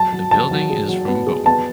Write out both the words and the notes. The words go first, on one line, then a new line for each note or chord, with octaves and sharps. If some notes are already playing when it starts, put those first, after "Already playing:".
The building is from Bowman.
Already playing: F#3 A5
F#3
F#3 A5
F#3
G#4
F#3
B3
G#4
B3 A5